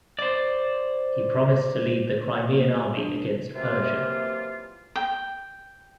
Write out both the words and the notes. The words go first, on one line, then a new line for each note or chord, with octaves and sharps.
He promised to lead the Crimean army against Persia.
C5 D5
F#5
A#3
G#5
D4
F#2 C3 E3 A#3 F4
G5